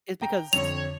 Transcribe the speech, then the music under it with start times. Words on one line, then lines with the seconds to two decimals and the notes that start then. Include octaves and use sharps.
Is because
0.22 G5 A#5
0.53 F2 D3 C#5 F7